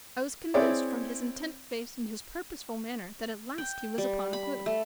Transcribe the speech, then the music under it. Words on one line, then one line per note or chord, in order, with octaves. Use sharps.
I was convinced, from his intent face and his purposeful manner, that at last he was upon a clue.
C4 E4 G#4 C#5 D5
G5
G3
B5
A3